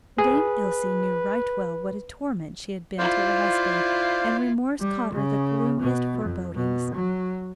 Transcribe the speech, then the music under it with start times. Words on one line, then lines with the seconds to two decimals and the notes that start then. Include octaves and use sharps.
Dame Ilse knew right well what a torment she had been to her husband, and remorse caused her the gloomiest forebodings.
0.18 G#4 B4
2.98 E4 F4 C5 D5 F5
4.80 G3
5.13 C#3
5.81 B2
6.23 F2
6.55 B2
6.94 F#3